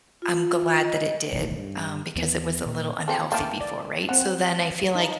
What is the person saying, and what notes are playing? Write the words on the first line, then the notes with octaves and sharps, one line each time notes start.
I'm glad that it did, um, because it was a little unhealthy before, right? So then I feel like
F4
D#5
D1 B1 A2 D#3
G2
D#2 E3 B3
A#2
F3 C4 A4
E3 A#3 F5 G5 A5
D5
F3 C4 F#5
D#4